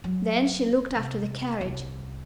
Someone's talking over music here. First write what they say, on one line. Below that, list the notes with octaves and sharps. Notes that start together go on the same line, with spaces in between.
Then she looked after the carriage.
F#3
C3
C2